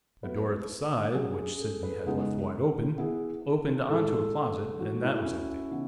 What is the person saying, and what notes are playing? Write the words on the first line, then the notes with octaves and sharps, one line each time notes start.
The door at the side, which Sydney had left wide open, opened on to a closet, and that was empty.
F#3 B3 F#4 A4 B4 E5
F#3 C#4 F#4 G#4
G#4
A4
B4
C#3 G#3 B3 D#4 G#4
B3 E4 G#4
A2 G#3 D#4 G#4 A4
A2 E3 G#3 D#4 F#4
E4
C#4
C#3 E3 B3 D#4